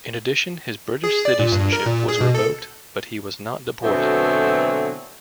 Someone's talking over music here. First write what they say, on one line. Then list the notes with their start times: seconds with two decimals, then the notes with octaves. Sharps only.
In addition, his British citizenship was revoked but he was not deported.
1.04 G#4
1.25 D5
1.39 A#2
1.52 G2
1.73 A#4
1.86 A#2
2.09 G#4
2.21 B2
2.35 A4
3.83 B2 D3 E3 F#3 A3 C4